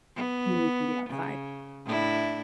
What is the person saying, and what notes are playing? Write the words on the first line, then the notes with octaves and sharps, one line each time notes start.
and we can be outside.
B3
C#3
A2 D4 E4